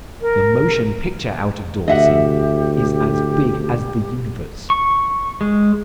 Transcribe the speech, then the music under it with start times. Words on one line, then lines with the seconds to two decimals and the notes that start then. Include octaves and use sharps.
The motion picture out-of-door scene is as big as the universe.
0.21 A#4
1.88 D2 G4 D#5 E5 F#5
4.70 C#6
5.41 G#3